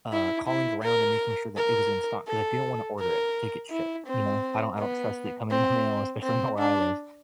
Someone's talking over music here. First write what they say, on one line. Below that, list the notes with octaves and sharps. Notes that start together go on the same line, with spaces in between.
uh, calling around and making sure that it was in stock- 'cause I didn't wanna order it to get shipped, you know? I don't I don't trust it coming in the mail, especially not where I live-
E4
E4
A#4
A#4
A4
A#4
E4
C4
B3
C4
C4
D4